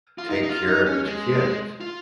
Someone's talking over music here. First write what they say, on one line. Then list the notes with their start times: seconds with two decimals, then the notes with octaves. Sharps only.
take care of his kids,
0.18 F4
0.30 D#4
0.43 D#4
0.49 F4
0.67 D#4
0.86 C#4
1.05 G#3
1.81 F4